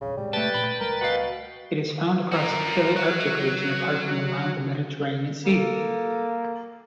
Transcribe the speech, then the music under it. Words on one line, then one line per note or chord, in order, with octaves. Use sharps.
It is found across the Palearctic region apart from around the Mediterranean Sea.
A#1 E2 G2 C#3
A2 C3 G3 G#3
A3 B4 G5 A5 A6
A#2 F3 C#4 B5
C#2 G3 A3 A#4
B2 F5 F#5
F#4 A#4
F#3
A#3 A4